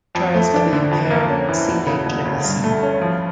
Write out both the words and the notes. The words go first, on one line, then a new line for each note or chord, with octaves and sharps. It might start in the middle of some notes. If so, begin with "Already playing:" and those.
Charles W. Kerr, C. H. Nicholson.
F2
A3
D4
D3
F2
A#3
C#4
E3
E1
C#3
E1
D2
G2
A3
C#4
F3